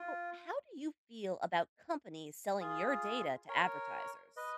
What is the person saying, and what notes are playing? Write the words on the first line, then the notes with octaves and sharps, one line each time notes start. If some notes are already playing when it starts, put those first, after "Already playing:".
So, how do you feel about companies selling your data to advertisers?
Already playing: F4
F4 G#4
A#4 C#5
B4 D#5